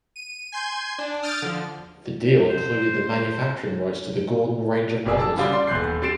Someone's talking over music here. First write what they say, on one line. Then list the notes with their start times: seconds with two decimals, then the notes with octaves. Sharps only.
The deal included the manufacturing rights to the Gordon range of models.
0.16 D#7
0.52 G#5 C6 G6 G#6
0.98 D4
1.22 D#6 F6 G6 A6 D7
1.42 D3 F3
2.49 C5
5.06 F#1 G#4 D6 E6
5.18 A5 E6
5.37 C#3 G3 F4 D6
5.49 D5 C6
5.67 D#1 E2 C6 F#6 G6 C7
6.02 C4 G4 A6 C7 D7 E7